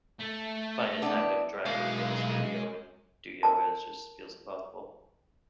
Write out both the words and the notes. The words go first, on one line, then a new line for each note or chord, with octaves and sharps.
finding time to drive to a yoga studio and do yoga, is just feels impossible.
A3
E3 B3 D4
B1 B2 E3 G#3 F5
A#4 A5